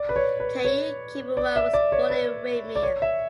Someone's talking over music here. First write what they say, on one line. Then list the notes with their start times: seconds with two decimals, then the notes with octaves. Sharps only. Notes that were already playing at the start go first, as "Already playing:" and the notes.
Ka‘iu Kimura was born in Waimea.
Already playing: D5
0.09 B4
0.16 C#5
0.40 B4
0.65 C#5
1.37 D5
1.56 E5
1.74 D5
1.92 C#5
2.10 B4
2.75 D5
2.83 C#5
3.02 E5